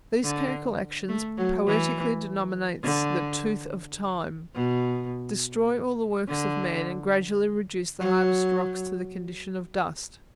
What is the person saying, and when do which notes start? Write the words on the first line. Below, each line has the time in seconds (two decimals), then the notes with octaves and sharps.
These chemical actions, poetically denominates the "tooth of time," destroy all the works of man, and gradually reduce the hardest rocks to the condition of dust.
0.24 D3
1.09 A3
1.38 F#3
1.67 E3
2.83 D3
4.55 B2
6.28 D3
8.00 F#3